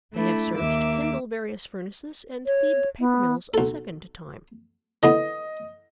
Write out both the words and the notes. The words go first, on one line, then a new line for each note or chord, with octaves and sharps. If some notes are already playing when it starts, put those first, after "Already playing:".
They have served to kindle various furnaces and feed the paper-mills a second time.
A3 D4 E4
D#2 A#3 E5 D6
C#5
B3
B1 A4
D3 E3 B3 D#5